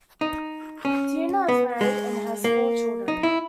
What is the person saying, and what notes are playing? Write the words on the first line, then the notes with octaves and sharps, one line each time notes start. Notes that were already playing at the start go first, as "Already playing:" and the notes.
Tina is married and has four children.
D#4
C#4
B3
G#3
A#3
D#4
E4